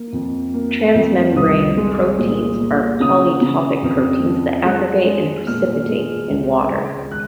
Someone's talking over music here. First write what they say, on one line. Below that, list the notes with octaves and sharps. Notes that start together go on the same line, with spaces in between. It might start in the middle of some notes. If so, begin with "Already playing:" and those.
Transmembrane proteins are polytopic proteins that aggregate and precipitate in water.
Already playing: A#3
F2
A#3
F2
C2 D#6
G#3
A#2
A#2
C#3 D#6
C#3
F2
F3
G#3 F#6
G#3
A#2 F6
G#3
C#2
C#2
F#6